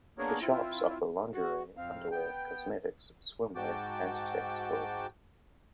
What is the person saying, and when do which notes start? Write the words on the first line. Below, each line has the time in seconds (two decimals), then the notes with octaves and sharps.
The shops offer lingerie, underwear, cosmetics, swimwear and sex toys.
0.18 A#3 B3 D4 G#4 A#4 C#5
0.42 C4 E4 F4
1.34 F#4
1.77 F2 C4 F5
2.11 B3 G5
3.56 G#2 F#4 G5 A5 D6